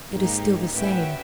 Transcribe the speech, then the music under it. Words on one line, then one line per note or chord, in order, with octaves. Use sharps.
It is still the same.
G#2 A#3 D#4 G4
A2 C#4 F#4 B4 E5 G5